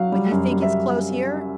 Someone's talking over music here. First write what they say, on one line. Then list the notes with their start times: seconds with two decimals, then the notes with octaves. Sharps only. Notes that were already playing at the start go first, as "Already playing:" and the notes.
"But you think it's close here?"
Already playing: F#3 F5
0.12 G3
0.31 F#2
0.51 G3
0.62 E5